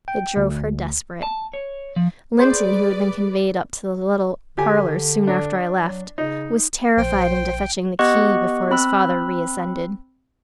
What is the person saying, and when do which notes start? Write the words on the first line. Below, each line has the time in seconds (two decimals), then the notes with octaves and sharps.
It drove her desperate. Linton who had been conveyed up to the little parlour soon after I left, was terrified into fetching the key before his father re-ascended.
0.08 G5
0.37 D2
1.23 A5
1.54 C#5
1.96 F3
2.39 G#4 B4 C5 D5
4.58 D3 G4 G#5
5.27 D4
5.79 F#3
6.18 C#3 D#4
6.97 A#1 C5 G5
7.99 B3 G4 D#5 F#5 C#6 F#6
8.71 C4 B5 E6 F#6